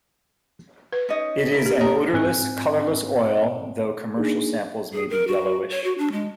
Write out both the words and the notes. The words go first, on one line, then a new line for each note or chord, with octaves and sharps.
It is an odorless, colorless oil, though commercial samples may be yellowish.
B4
C#4 D#4 D#5
E4 A#4
G4
G4 A4 A#4 C#5 D#5
G#2 C4 G#5 F#6
A#3 D4 D#4 G#4
G#4
A#4
F#4
C#5
F#4
D4
G#3